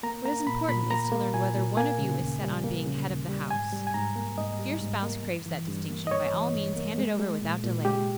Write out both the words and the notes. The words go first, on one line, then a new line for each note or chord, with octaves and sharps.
What is important is to learn whether one of you is set on being "head of the house." If your spouse craves that distinction, by all means hand it over without delay.
A#3 A#5
A#3 A#5
A#2 B5
A#2 B5
A#3 A#5
A#3
A#2 G#5
A#2
A#3 G#5
C#3
D#2
G3
A#3
C#3
D#2
G3
G#2 G#5
G3
G#5
G#2 A#5
A#3
G#2 D#5
G3
G#2
A#3
G2
E3
G2
A#3
D#5
G2 C#5
E3
G2
A#3
G#3
G#3
A#2
A#2
G#3 G4